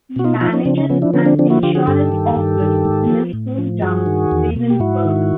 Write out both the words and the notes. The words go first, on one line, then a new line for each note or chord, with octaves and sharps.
He manages an insurance office in his hometown, Ravensburg.
B2 F#4
D#4 F4
F3 D#4 F4
C#4 D#4
C#3 C4 D4
C#4 D#4
F3 B3 C#4
D4 E4
D3 B3 C#4
C4 D4
F3 C4 D4
E4 F#4
D3 F4 G4
F#4 G#4
G2 G4 A4
D#3
G2
D#3
G#2
F3
A2
F3
G2 F#4 G#4
D#3
E2
B2
G4
G#2 E4 F#4
D#3